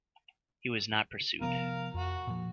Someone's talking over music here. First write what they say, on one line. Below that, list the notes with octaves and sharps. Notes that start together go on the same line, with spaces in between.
He was not pursued.
C3 F3 B3 A#4 F5
F2 F#4
A#2 F3